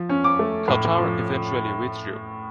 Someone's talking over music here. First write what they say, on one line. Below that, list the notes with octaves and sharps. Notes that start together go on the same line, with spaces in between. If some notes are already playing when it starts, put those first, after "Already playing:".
Qatar eventually withdrew.
Already playing: F3
C#4
D6
A3
A2
F3